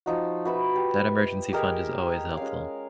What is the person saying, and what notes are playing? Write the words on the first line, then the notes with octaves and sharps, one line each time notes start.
that emergency fund is always helpful.
F3 D#4 F#4
F#4 B4 E5
G4
G4 G#4 A#4 D#5
G#3 C#4 F5